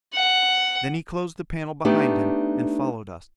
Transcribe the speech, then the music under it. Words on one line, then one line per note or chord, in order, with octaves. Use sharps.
Then he closed the panel behind him and followed us.
F#5
A3 B3 D4 D#4 G4